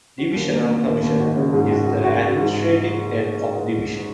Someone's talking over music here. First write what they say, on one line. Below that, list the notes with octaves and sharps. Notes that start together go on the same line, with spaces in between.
Divisional Commissioner is the administrative head of a division.
F#4
D#2
A#3
A#3
D#2
D#2
F#4
C#3
G#2
F#4
F#4
F#4
F#4
G#2